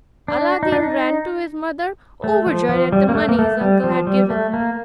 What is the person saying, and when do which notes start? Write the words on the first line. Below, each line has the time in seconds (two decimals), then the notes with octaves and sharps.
Aladdin ran to his mother, overjoyed at the money his uncle had given him.
0.28 D4
0.63 D#4
0.72 D4
0.82 D#4
2.24 A3
2.46 F3
2.69 F3
2.92 G3
3.09 A#3
3.15 A3
3.29 A#3
3.39 A3
3.61 G3
3.84 F3
4.07 G3
4.30 A3
4.54 A#3